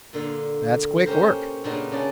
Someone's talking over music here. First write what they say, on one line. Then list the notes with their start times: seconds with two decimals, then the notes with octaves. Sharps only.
That's quick work.
0.13 A#2 D3 F5
1.06 C#4 G4 A#4 C5
1.64 A#2 C#3 B3 D4 D#4 A#4
1.92 C#3 C#4 D5 A5